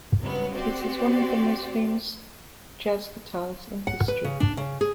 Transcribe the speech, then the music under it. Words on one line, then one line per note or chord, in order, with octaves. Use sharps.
It is one of the most famous jazz guitars in history.
C#2 G2 C3 F#3 B3
C4 F#4 G4 C5 D5
F#5
B4
C#3
D4
C#3
G#4